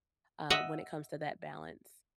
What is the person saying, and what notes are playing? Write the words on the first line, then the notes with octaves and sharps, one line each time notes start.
um, when it comes to that balance?
D#5 E5 F#5